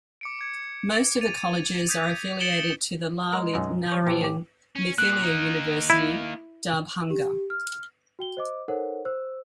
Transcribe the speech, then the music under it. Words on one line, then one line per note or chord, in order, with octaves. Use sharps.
Most of the colleges are affiliated to the Lalit Narayan Mithila University, Darbhanga.
D6 C#7 D7
D6 G#6 C#7
A6 D#7 F7
D#6 G6 G#6 B6 D#7 F7
A6 C#7 D7 E7 F#7 G7
G#3 A#4
B1 F#2 D#4
F3 G3 C#5
A#2 E3 G4
A1 G4
C#4
A#2 F#6
A#3 D#4
E4
G4
F6
F#4 G5 G7
C5 D#5 D6
D#4 A4 A#4 C5 C#5 F#5
C5 E6